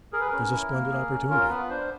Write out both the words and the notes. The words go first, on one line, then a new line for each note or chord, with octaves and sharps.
There's a splendid opportunity.
G#4 A#4
B4
A#4
C#4
E4
A#3
G#4
C#4
F4 A#4
B3 B4
D4 C5